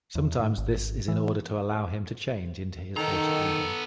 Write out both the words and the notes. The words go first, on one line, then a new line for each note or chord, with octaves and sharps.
Sometimes this is in order to allow him to change into his alter ego.
E2
G#2
G#1
E3
D#3 B3 A4 A#5